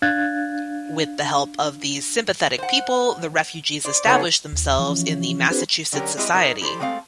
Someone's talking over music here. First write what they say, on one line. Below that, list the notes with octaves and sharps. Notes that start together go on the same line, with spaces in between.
With the help of these sympathetic people, the refugees established themselves in Massachusetts society.
D4 F5 F#6 G#6 A6
C5 F#5
C5 D5
C#3 B3 D#4 G#4 A4 C#5
D#2
E3 F3 C#4
C4 D4 F#4 G#4 B4 C5
D3 F#3 C#4 G4 A#4
G#3 C4 E4 G4 G#4 D#5
D#4 A#4 C#5
E4 G4 A4 C5
G#3 A3 C4 A4 F5